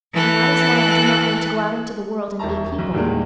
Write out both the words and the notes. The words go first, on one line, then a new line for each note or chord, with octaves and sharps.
And that is why I do not want to go out into the world and meet people.
E3 A4 F#6
E1 D#2 E5 A5 A#5
B1
E2 A#2 D#3 G3 G#3 A#3